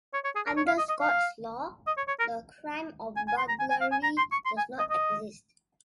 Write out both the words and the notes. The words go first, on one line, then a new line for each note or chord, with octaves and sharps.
Under Scots law, the crime of burglary does not exist.
C#5
C#5
G#4
A#4
C#5
F5
D#5
D#5
F5
D#5
C#5
C#5
A#4
G#5
G#5
C6
A#5
G#5
G#5
F5
G#5
A#5
C6
C#6
C6
G#5
D#5
D#5